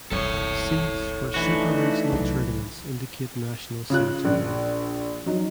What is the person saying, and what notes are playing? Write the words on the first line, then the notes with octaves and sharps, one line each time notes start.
Seeds for super regional tournaments indicate national seeds only.
E1 C2 F#2 A4 C#5
E3 A3 D4 D#4 F#4
C2 F#3
C#3 F4 F#6
A#1
F#3 D#4